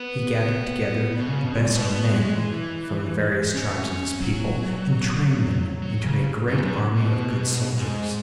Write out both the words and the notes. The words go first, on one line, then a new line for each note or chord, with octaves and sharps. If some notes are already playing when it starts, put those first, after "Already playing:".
He gathered together the best men from the various tribes of his people and trained them into a great army of good soldiers.
Already playing: B3
B2
C#3
B2
G#2
B2
B3
G#3
E3
C#4
C#4
F#3
F#3
C#3
F#2
F#2
B2
G#2